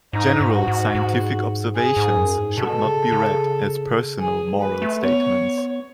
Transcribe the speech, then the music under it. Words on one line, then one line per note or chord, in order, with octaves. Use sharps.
General scientific observations should not be read as personal moral statements.
G#2 D#4
G#2
F#4
G#2
G#2
G#4
G#2
F#2
G#2
B2 A4
C#3
C#3
E3 G#4
F#3
G#3 B4
A3
B3 C#5